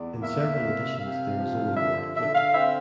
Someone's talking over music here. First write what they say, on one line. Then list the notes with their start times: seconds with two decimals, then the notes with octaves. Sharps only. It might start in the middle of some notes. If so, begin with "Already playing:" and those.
In several editions there is only one flute.
Already playing: E2 D5
0.21 A#3 E5
0.60 C3
0.99 C3 F5
1.37 F3
1.76 D3 E5
2.15 D3 E5
2.34 F5
2.53 C4 E5